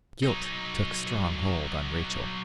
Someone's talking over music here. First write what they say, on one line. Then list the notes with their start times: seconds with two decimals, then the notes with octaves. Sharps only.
Guilt took strong hold on Rachel.
0.23 F#3 D#4